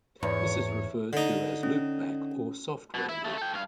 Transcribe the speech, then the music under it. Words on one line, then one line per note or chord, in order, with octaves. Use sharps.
This is referred to as loopback or software loop.
E2 G#2 C#5
D3 D#4
C#4
B2
E4
C#3 A3
A4 G5
G2 F5